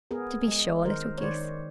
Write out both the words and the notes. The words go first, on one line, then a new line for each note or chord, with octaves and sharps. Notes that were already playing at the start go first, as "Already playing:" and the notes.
'To be sure, little goose.
B3 G#4 A#4
G#3
D#3 A#4 C5
C#5
D#3 C5 D5